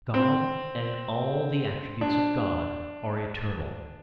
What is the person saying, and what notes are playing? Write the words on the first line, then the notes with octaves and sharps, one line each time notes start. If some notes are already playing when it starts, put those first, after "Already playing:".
God, and all the attributes of God, are eternal.
C4
D4